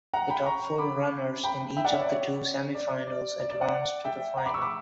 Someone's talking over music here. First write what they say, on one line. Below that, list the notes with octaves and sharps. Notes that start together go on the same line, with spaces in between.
The top four runners in each of the two semifinals advanced to the final.
F#5 A#5
G5 B5
A#5 C#6
B5 D6
G5 B5
E5 G5
D5 F#5
C#5 E5
D5
C#5
D5
D5
D5
D5
D5 F#5
E5 G5
F#5 A#5
B5 D6
C#6 E6
B5 D6